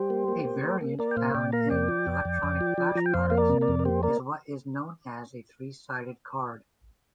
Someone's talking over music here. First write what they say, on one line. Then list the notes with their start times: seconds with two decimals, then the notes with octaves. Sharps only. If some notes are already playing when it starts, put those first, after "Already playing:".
A variant, found in electronic flashcards, is what is known as a three-sided card.
Already playing: G3 G4 C5
0.10 A#3
0.28 A#3
0.45 A#3
0.63 A#3
0.81 A#3
0.99 A#3 A#4 D5
1.11 G5
1.17 A#2 C5 F5
1.34 A#2 D5 G5
1.52 A#3 F5 A#5
1.70 F2 D5 G5
1.89 F3
2.07 F2
2.25 F2
2.43 F2
2.61 F3
2.78 F3
2.95 F3 A#5
3.06 G5
3.14 F2 C5 F5
3.30 A#3 F5
3.37 A#4 D5
3.49 C3
3.61 A#4 D5
3.68 F2
3.79 A#4
3.85 A#3 G4 C5
4.03 A#3 A#4 D5